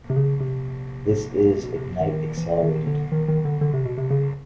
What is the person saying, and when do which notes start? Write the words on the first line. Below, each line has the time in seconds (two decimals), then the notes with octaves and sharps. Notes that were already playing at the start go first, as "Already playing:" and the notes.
This is Ignite Accelerated.
0.10 C3
0.16 C#3
0.40 C3
1.63 B2
1.76 C3
2.01 D#3
2.12 D#3
2.38 E3
2.63 D#3
2.87 D3
3.12 D#3
3.28 D#3
3.45 D3
3.61 D3
3.74 C3
3.86 B2
3.98 C3
4.10 C#3